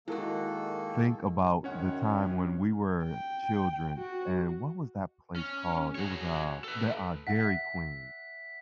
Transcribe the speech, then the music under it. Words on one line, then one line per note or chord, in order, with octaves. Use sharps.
think about the time when we were children, and, what was that place called? It was, uh, the uh, Dairy Queen.
D#3 G#3 A#3 E4 F#4 A4 A#4
F#2 D#3 C#4 C#5 F#5
G5
F#4
C#4
F#4 G#4 C#5
A4 B4
E5 F#5 B6